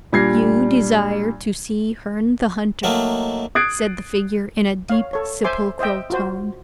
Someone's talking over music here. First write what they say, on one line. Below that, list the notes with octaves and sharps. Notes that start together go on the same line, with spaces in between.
"You desire to see Herne the Hunter," said the figure, in a deep, sepulchral tone.
A#2 G3 D4 G#6 A#6 C7
D#3 F#3 A3 A#3 D#4
D#6 F#6 G#6 A6 C7 D7
C#5 F5
A4 C#5
C5 E5 G#5 C6 D6
C5 D#5 E5 G5
F4 F#4 C5